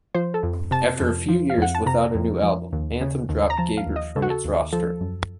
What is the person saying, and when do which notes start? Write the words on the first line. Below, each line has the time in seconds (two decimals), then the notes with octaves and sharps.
After a few years without a new album, Anthem dropped Gabor from its roster.
0.15 F3 C5
0.34 A4
0.43 F2
0.71 C3 A5
1.01 F2
1.29 F3
1.50 F5
1.58 F2 F#5
1.75 A5
1.86 C3 A#5
2.14 F2
2.43 F3
2.73 D#2
3.01 C#3
3.29 D#2
3.50 A#5
3.58 F3 A5
3.77 F5
3.87 D#2
3.96 D#5
4.15 C#3 A4
4.22 F#4
4.30 A4
4.45 D#2
4.73 F3 A4
5.01 F#2